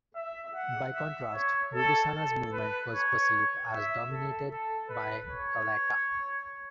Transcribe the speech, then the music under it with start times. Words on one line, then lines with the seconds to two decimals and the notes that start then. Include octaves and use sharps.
By contrast, Rubusana's movement was perceived as dominated by Gcaleka.
0.15 E5
0.55 F#5
0.94 E5
1.33 C#5
1.74 A4
2.13 A4
2.53 B4
2.93 C#5
3.71 E5
4.11 A4
4.51 A4
4.89 B4
5.29 C#5